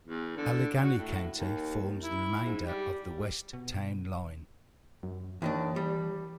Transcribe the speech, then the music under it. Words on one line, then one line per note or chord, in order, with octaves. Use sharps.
Allegany County forms the remainder of the west town line.
E2
D3
F#4
A2
D#2
E4
G#2
G3
B2
F#2
D#2 D#3 E3 D4
G3